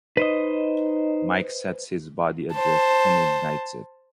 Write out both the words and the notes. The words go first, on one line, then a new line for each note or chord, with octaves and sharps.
Mike sets his body adrift and ignites it.
D#4 B4 C5 D#5
C5 A5